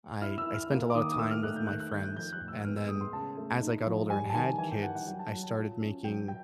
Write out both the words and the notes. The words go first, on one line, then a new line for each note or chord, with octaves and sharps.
I I spent a lot of time with my friends. And then, as I got older and had kids, I started making
E4 F6
E6
E4
F6
A#3
D6
D#3 D#6
D#6
A3 E6
F6
A3 F#6
G6
D#3 F#6
F#6
D#3 G6
F#6
F3 G6
F#6
A2
E6
B3 F6
E6
G#3 D#6
C6
C#3 A5
A3
D#4
F3
G3 G#5
A5
D#3 G#5
E3 G#5
G5
G3 F#5
F#5
F#3 G5
A5
F#3
A5
F4
C#4
F#3 G5
G5